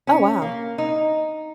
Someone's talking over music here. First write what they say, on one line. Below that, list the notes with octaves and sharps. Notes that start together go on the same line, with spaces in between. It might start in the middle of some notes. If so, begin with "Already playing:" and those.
Oh, wow.
C#4
A#3
D#4